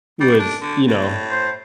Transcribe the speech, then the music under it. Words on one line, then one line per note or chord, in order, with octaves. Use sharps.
with, you know
G3
D4
D3
A2
C5